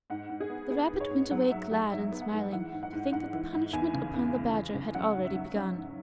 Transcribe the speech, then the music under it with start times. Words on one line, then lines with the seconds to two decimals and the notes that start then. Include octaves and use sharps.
The rabbit went away glad and smiling to think that the punishment upon the badger had already begun.
0.10 G#2 F#5
0.30 G#2
0.40 G#4
0.50 B3
0.70 B3 G#4
0.90 G#2
1.00 C#5
1.11 G#2
1.31 F#3 F#5
1.51 F#3 E5
1.71 F#3 G#4
1.91 G#2 E5
2.12 B3
2.21 F#5
2.32 G#2
2.52 E3 F#5
2.73 G#2
2.83 F#5
2.93 G#2
3.13 G#2 F#5
3.33 E3
3.53 G#2
3.73 E2 G#5
3.94 C#3
4.14 E2
4.34 E2
4.54 E2
4.74 C#3
4.94 F#3 F#5
5.15 G#2
5.25 E5
5.34 F#3
5.55 C#4
5.75 G#2